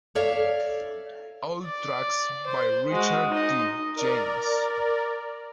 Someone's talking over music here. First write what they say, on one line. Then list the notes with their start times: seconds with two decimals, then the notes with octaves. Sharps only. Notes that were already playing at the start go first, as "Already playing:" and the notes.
All tracks by Richard D. James.
0.15 A4 C#5 D5 E5 F5
1.65 D5
2.47 C5
2.91 G#3 F#4
3.30 D#4 D#5
3.96 A#4 D5